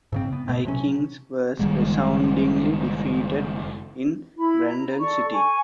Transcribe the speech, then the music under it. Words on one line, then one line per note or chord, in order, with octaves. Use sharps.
Aikins was resoundingly defeated in Brandon City.
G#2 C#3 C4
B3
B2 A3
C3 F#3 C#4
F#1 D#3 G3 G#3
E4 B5
A#5
A4 D5 C#6
G#5 C#6